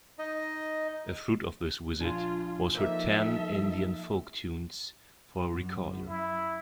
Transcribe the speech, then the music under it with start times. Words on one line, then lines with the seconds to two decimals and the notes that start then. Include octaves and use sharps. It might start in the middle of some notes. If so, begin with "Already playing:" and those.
A fruit of this visit was her "Ten Indian Folk Tunes" for recorder.
0.19 D#4 D#5
2.00 A#1 D4 F4 G#5
2.74 F3 A#3 D#4 A4 E5
5.51 F#2
6.08 E4